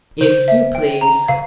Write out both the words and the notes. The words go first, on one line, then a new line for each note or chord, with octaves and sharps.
"If you please."
C#3 C5
E5
G5
A#5
C#3 F5